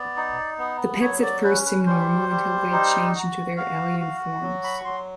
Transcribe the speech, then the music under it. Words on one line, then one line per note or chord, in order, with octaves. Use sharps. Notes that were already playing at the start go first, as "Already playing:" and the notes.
The pets at first seem normal, until they change into their alien forms.
Already playing: B3 D5
D#4
B3
F#3 C#5
D5
C#4 B4
B4
G3 C5
G3
D#4
F#4
F#4 F5
F#4
F#3
B5
C#6
F#3 C6